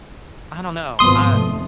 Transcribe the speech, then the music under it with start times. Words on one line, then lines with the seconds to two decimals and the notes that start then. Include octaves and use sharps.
I don't know. I
0.99 G#1 F3 B3 C6 D#6
1.33 F1 A3